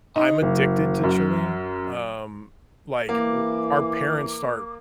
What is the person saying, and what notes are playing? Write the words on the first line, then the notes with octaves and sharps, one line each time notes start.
I'm addicted to chili. Um. Like, w our parents start
D#4
F#1
F#2
E3 A#3 D6